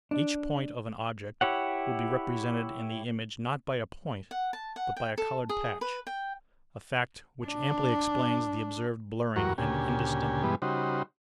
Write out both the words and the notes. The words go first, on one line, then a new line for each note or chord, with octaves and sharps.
Each point of an object will be represented in the image not by a point but by a coloured patch: a fact which amply explains the observed blurring and indistinctness.
D4
E4 G4 C#5 F#5
F#5
A5
F#5
G5
A4
G#4
B4
G5
D4
E2 G2 F#3 F#4 A#4 C#6
D2 A#2 C#3 G4 G#5
G2 B2 E3 G3 G#3 B3
C#3 G3 D#4 F#4 C5